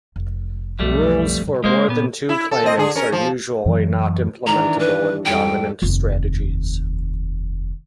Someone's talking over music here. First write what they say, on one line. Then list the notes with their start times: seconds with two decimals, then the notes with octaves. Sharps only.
Rules for more than two claimants are usually not implementable in dominant strategies.
0.16 F1
0.79 B1 F2 G3 A3
1.43 C#3 G3
1.64 G#3 A#3 E4 C5
1.88 A#2 B3
2.29 E4
2.51 A4
2.63 C4 D#5
2.77 D3 G#4
2.95 C#4 A#4
3.12 F3
3.66 F#2 E3 F#3
4.46 D#3 E3 D4 A#5
4.79 B4
5.25 F2 G3 A4 G5
5.82 F1 D#2